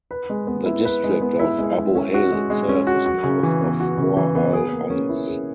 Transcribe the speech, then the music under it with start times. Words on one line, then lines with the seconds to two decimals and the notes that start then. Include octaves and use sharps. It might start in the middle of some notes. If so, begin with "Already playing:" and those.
The district of Abu Hail itself is north of Hor Al Anz.
0.11 B4
0.30 G#3
0.47 B3
0.66 E4
0.85 B4
1.04 G#3
1.22 B3
1.39 E4
1.58 G#3
1.76 G#3
1.95 C#4
2.14 F#4
2.32 G#3
2.50 G#3
2.69 C#4
2.87 F#4
3.06 F#4
3.24 C#3
3.43 E3
3.61 B3
3.80 F#4
3.98 C#3
4.17 E3
4.35 B3
4.53 G#4
4.72 A#3
4.90 C#4
5.09 E4
5.27 G#4